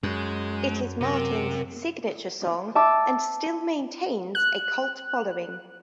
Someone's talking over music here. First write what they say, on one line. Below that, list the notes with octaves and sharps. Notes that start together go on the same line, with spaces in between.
It is Martin's signature song and still maintains a cult following.
F#2 G#3
C3 F#3 A#4
E5 A5 D6 E6
F#6